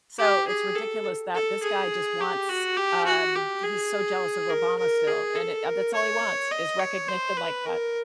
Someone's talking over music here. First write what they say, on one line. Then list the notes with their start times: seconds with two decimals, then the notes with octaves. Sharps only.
So it's ridiculous that this guy just wants, um, he's so jealous of Obama still, and, uh, that's all he wants is recognition like that.
0.18 G4
0.48 G#4
0.76 A4
1.34 A4
1.63 G#4
2.21 G4
2.49 F#4
2.77 G4
3.06 F#4
3.35 G4
3.63 G#4
4.49 A#4
4.79 A#4
5.07 G#4
5.36 A4
5.65 A#4
5.94 C#5
6.51 D#5
6.80 C#5
7.08 C5
7.37 B4
7.66 A#4